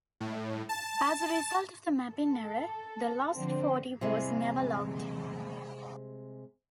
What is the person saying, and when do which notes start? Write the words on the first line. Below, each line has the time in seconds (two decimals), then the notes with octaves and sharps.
As a result of the mapping error, the Lost Forty was never logged.
0.20 A2
0.69 A5
2.14 A4
3.36 D3 F3 C4
4.01 C3 G3 G#3 E4